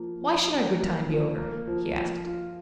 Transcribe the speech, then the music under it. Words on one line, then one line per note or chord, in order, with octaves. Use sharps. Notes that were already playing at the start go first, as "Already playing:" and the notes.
"Why should our good time be over?" he asked.
Already playing: F3 A#3
F3
D#4
A#3
F3
A#3
F3
F3
F4